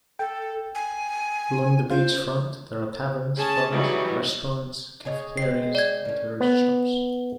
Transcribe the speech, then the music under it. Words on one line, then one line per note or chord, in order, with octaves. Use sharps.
Along the beach front there are taverns, bars, restaurants, cafeterias and tourist shops.
A4 G5
G#5
F4 C5
C#4 G#4 A5
E3 F#3 G3 D#4
G#4 C#5 D#5
G#3 C4 C7
D5 G#6
A#3 C#4
B3